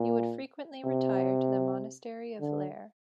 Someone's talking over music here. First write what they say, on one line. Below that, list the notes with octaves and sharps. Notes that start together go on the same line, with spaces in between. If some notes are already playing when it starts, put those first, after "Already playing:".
He would frequently retire to the Monastery of Leyre.
Already playing: A#2
C3
D3